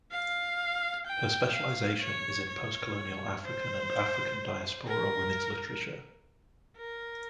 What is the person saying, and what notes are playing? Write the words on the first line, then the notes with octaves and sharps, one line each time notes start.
Her specialization is in postcolonial African and African Diaspora women’s literature.
F5
G5
F5
C#5
C#5
C5
A#4
A#4